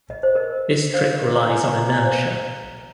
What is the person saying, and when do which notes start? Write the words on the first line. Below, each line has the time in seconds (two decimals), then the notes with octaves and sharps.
This trick relies on inertia.
0.10 D#5
0.23 C5
0.35 A#4 D#5
0.93 C5 F5
1.14 A#4 D#5
1.35 F5 A#5
1.49 D#5 G#5
1.63 F5 A#5
1.77 F5 A#5
1.91 D#5 G#5
2.04 C5 F5